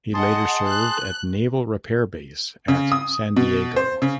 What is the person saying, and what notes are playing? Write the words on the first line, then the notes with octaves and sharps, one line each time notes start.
He later served at naval repair base at San Diego.
G#4 D#5 F#5 A5 C6
F#6
C#3
D#6
B2
C5
C#3